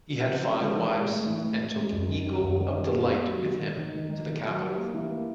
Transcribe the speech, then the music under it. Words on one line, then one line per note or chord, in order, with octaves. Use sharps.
He had five wives, and took Eagle of Delight with him to the capital.
F3
C#3
F3
G#3
E3
G#3
A2
E3
A2
A2
G#3
F#2
D#3
G3
F#2
D#3
G3
A#3
A#3
F#3
D#3
D#3
D#3
D#3
D#3
D#3
F#3
G3
A#3
E3
A#3